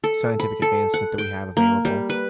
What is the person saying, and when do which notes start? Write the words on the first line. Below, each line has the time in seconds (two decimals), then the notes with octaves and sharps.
scientific advancement that we have available
0.04 A4
0.40 B5
0.62 A4
0.94 F#5
1.18 G5
1.57 A#3
1.85 G3
2.10 B4